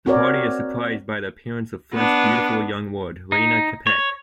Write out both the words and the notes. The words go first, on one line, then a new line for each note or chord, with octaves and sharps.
The party is surprised by the appearance of Flint's beautiful young ward, Rayna Kapec.
C4 F#4 A#4 C#5 D5
B3 D4
D#4
C#5